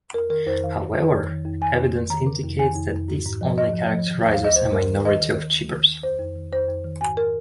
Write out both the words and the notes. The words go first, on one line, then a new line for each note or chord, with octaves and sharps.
However, evidence indicates that this only characterizes a minority of chippers.
F2 A#4
D#3 A#4
F2 C5
D#3 F5
D#3
D#3
F2
D#3
F2
D#3 G#5
F2
F2
D#3 A#5
C3
F2
D#3 G#5
F2
F2
G#2
G#2
F3
G#2 D#5
F3
F3
D#3
D#2
F5
D#2 D#5
D#2 C5
D#2 A#4
D#3
D#3 D#5
D#3
D#3
D#2
D#3
D#3
F2 C5
F2
D#3
F2 C5
F2
D#3
G#2 G#5
A#4